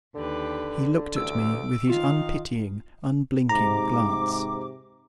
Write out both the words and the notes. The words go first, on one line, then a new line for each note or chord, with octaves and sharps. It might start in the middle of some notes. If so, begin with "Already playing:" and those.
He looked at me with his unpitying, unblinking glance.
D#2 D3 G4 B4
A1 D2 G2 D6 E6
D#3 F4 D#5 F5
G#2 C3 A#5 D6